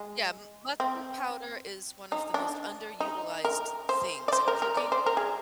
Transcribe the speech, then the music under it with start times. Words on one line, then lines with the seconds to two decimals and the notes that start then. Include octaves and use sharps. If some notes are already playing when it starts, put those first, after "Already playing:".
Yeah, m mustard powder is one of the most underutilized things in cooking.
Already playing: G#3
0.80 C4
2.12 D#4
2.34 D4
3.00 D#4
3.45 A#4
3.89 C5
4.28 D5
4.33 C5
4.48 A#4
4.62 A#4
4.77 D5
4.92 C5
5.06 A#4
5.17 G#4